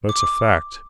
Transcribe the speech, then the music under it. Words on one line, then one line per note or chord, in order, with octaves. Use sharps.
"That's a fact?"
D6